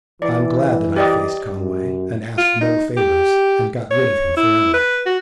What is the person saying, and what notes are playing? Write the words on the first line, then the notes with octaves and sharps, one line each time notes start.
I am glad that I faced Conway, and asked no favors, and got rid of him forever.
E3 D5
G4 D5 D#5
F#2
F4
D#4
G4
C#5
E4
B4
F#4